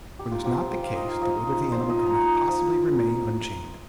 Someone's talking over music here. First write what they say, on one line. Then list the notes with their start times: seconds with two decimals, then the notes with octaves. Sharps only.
Were this not the case, the weight of the animal could not possibly remain unchanged.
0.19 D#4 G4
0.32 F4
0.44 F3 G4
0.58 C5
0.70 F3 G5
0.83 F5
0.96 D#4 D#5
1.08 F5
1.21 F3 D#5
1.47 D#4
1.72 F3 C5
1.90 D#5
1.97 D#4
2.06 A#5
2.23 D#4
2.48 F3